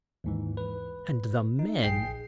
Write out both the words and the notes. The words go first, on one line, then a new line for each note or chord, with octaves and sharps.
And the men!
D#2 G#2 E3
B4
D#4
A#1 G#4 G5 C7